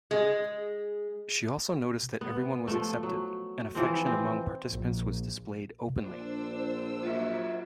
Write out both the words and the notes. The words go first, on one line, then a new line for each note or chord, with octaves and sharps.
She also noticed that everyone was accepted, and affection among participants was displayed openly.
G#3
B3
F3 A3
F#3
E3 F3 C4
C4
A#1
A#1 D4 C5 E6
F#3 A#3 F4 F#4 E5